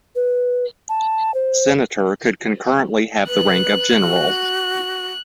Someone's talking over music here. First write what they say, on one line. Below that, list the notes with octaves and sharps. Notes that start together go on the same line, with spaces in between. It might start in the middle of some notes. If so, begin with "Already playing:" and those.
Senator could concurrently have the rank of General.
B4
A5
C5
B4 F#6
F#4